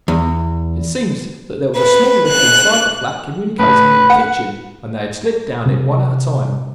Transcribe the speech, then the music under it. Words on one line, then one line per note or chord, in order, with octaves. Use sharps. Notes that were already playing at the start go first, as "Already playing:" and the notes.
It seems that there was a small lift inside the flat communicating with the kitchen, and they had slipped down it one at a time.
E2
B4
F#6
A2 B4
F#5
C3